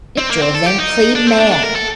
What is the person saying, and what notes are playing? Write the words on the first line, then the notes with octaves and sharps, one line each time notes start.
It drove them clean mad.
C4
A#3
C4
A4
G4
D#4
D4
C4
D4
D4
A#4
A4